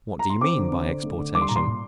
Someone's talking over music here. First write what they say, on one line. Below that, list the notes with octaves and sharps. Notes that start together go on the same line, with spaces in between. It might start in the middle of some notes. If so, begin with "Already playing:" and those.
What do you mean by Exportation?
A#5
C6
C4 D6
D3
C4
D3
A3
D3
G3 D6
C6
A#2 A#5
C6
A#2